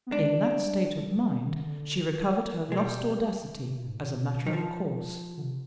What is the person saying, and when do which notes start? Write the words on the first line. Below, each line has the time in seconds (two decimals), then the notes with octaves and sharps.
In that state of mind she recovered her lost audacity, as a matter of course.
0.07 B3
0.12 G#3 D4
0.57 G3
1.00 G3
1.23 G3
1.45 D#3
1.66 D3
2.68 C3
2.72 G#3
2.77 B2 G3
3.65 C3
3.76 B2
3.87 G#2
3.99 B2
4.47 D#3
4.53 F3
5.37 D3
5.42 C3